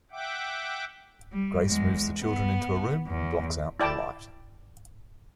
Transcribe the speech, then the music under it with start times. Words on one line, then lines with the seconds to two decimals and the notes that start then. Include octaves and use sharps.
Grace moves the children into a room and blocks out the light.
0.11 E5 F#5 G5 D6
1.32 G3
1.67 E2 G#3
2.22 B3
3.07 E2
3.80 E4 D5 G5 A5 D6